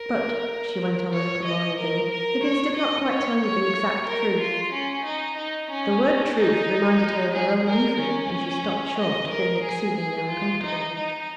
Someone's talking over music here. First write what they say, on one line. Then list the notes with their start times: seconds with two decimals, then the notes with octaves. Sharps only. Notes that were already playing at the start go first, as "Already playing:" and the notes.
But,' she went on a little more eagerly, 'Higgins did not quite tell you the exact truth.' The word 'truth,' reminded her of her own untruth, and she stopped short, feeling exceedingly uncomfortable.
Already playing: A#4
1.13 C#5
1.45 D#5
1.78 A#4
2.10 A#4
2.43 C#5
2.77 D#5
3.09 C#5
3.42 C#5
4.06 A#4
4.40 F4
4.72 C#4
5.05 D#4
5.37 D#4
5.70 C#4
6.37 D#4
7.34 G#4
7.67 A#4
8.00 C#4
8.98 D#5
9.30 A#4
9.63 G#4
9.96 G#4
10.29 F4
10.62 D#4
10.94 D#4